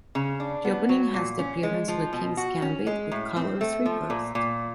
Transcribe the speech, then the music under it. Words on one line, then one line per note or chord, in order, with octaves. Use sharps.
The opening has the appearance of a King's Gambit with colours reversed.
C#3
D4
B3
F#3
A#2
C#4
G#3
F3
B2
F#4
C#4
G#3
A2
C4
A3
F3
A#2
A#2